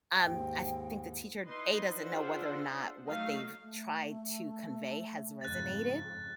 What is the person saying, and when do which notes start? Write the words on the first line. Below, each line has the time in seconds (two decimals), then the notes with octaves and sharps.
um, I think the teacher, A, doesn't know whether or not what they've tried to convey has resonated,
0.17 D#2 G#2 G5
1.47 D#4 E4 B4 D#5 C6
1.93 D4 F4 G#4 C5 E5 F#5
3.07 F#3 A3 D#4 F5
3.63 A3
5.41 F2 G#2 C#3 F#6 A6